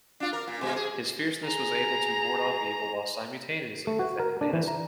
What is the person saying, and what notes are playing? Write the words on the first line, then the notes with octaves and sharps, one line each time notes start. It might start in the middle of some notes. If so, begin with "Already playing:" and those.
His fierceness was able to ward off evil while simultaneously defending the innocent.
D4 F4
A#4
A#2
B2 G#3
G#4
G#4 A#5
A3
F#4
A#4
D4
E3
A#5